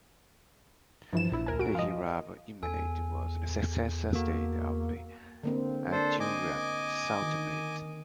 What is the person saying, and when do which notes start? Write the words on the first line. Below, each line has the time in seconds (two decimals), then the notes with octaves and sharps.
The Hiraab Imamate was the successor state of the Ajuran Sultanate.
1.13 G2 E3 F3 E7
1.32 A#1 E4
1.46 D2 A#4 G#5
1.59 F#4 D7
1.75 F3 F4 D#5
2.63 E2 A4 G#5
4.14 A#3 F#4 A4
5.43 D3 A#3 C4
5.91 D4 A4 C5
6.20 D#5 G#5 D6
7.22 D#3